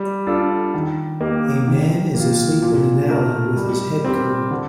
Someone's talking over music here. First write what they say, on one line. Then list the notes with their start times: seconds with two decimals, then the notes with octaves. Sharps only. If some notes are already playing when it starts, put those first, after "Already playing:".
A man is asleep in an alley with his head covered.
Already playing: G3
0.27 D4 F4 A4
0.74 D#3
1.20 A#3 D#4 G4
1.68 D#3
2.15 A#3 F4
2.62 A#2
3.10 A3 D#4 A#4
3.56 G3
4.04 C4 G4 A#4
4.51 D3